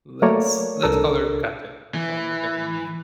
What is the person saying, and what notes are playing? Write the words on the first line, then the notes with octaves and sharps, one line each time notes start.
let's let's call her Katya, I'll make up a new name.
F#3 A3 A#3 A#4 C#5 D5
C2 D4 A4 A#4 E6
E3